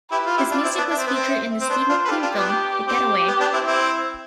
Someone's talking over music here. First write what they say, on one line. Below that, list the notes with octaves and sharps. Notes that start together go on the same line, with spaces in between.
His music was featured in the Steve McQueen film "The Getaway".
E4 G4 B4
F4
E4 G4
D4 F4 D5
C4 E4
B3 D4
D4 E5
C4
B3
C4
C4
B3 D4 C5
D4 F4
B4
F4 G4 A4
D4 F4
B3 D4
G4
C4 G4
B3
B3 D4
C4 E4
C4 E4